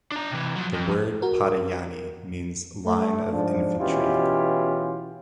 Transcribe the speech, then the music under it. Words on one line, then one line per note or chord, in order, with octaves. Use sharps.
The word Padayani means line of infantry.
D4 A#5
C3 E3
F3 F#3
F2
F#4 A#4
A3
G#2 F3 D4
B2 E3 C#4 E4 F4 G4